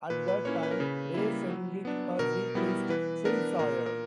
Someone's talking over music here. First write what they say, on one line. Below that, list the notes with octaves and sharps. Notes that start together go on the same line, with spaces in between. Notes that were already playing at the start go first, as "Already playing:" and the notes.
At that time Ray Fenwick had replaced Phil Sawyer.
A#2 B4
B4
A#3 C#4 E4 C#5
B4
A#4
C#3 B4
G3 A#3 E4
F#3
B3 D4
B2 A#4
G3 B3 E4
E3 B4
B3 D4 A#4
A#2 A#4
A#4